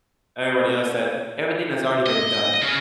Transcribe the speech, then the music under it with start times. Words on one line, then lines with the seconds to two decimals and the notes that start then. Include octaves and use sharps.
everybody else that everything has already been done.
2.06 D#5
2.62 C#3